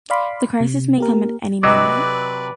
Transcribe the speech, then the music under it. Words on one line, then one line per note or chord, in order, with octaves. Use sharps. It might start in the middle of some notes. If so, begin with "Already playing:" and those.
The crisis may come at any moment.
D5 F5 B5 C6 D6
C3
A#3 G4 A#4
C3 F#3 B4 D5 D#5 D6